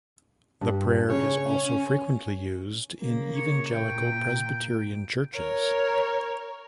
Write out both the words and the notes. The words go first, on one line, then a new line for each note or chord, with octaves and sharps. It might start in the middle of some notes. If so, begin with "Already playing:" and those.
The prayer is also frequently used in evangelical Presbyterian churches.
G2
C#3 C#5
C#4
C#3 A#3
C#5
A#2 G5
A#4 C#5